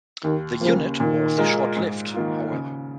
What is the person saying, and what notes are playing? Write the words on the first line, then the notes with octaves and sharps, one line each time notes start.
The unit was short-lived, however.
D#2 D#3
C#3 F3 A#3
A#2 D#3
G#3 F4 A#4
G#2
D#3 A#3 F4
C#3